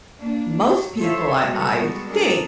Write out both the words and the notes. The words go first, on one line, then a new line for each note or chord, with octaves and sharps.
most people I I think
A#3 D4
F#3
A4 C5 C#5 E5 F5
G3 G#3 B3 F#4 A4
G#3 D4 A4 A#4